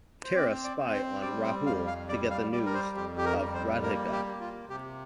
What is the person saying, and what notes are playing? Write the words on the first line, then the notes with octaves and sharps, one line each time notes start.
Tara spy on Rahul to get the news of Radhika.
C5
C4 D5
D5
C4
C5
G3 D5
C5
F2 F5
F5
G3 D5
F5
G3 D5
A#4
C5
F2 G4
G4
A#4
G3
C5
A#3 A#4
G4
A#3
F4
C3 G4